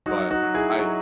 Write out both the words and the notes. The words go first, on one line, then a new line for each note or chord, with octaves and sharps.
But I
F#3 D#4 F#4
D#4 F#4
F#3
E4 G#4
F#3